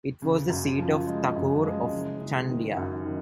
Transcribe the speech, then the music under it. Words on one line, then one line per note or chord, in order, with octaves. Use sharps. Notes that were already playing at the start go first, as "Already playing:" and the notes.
It was the seat of Thakur of Chandia.
C#3
F#2
F3
G#3
F#2
G#3
F#1
F#1
D#3
F#2
D#3